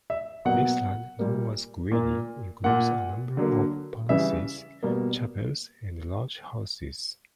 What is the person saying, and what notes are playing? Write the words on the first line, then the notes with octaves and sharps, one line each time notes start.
This land, known as Gwiedi, includes a number of palaces, chapels and large houses.
E5
B2 F#3 A#3 F#5
A#2 G3 A#3
A#2 A#3
A#2 A#3 F#5
D3 F#3 A#3
C#3 E3 G3 E5
B2 G3 A#3